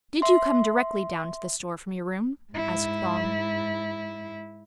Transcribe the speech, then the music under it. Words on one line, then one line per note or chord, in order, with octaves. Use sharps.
"Did you come directly down to the store from your room?" asked Thong.
E5 C6
G#2 E4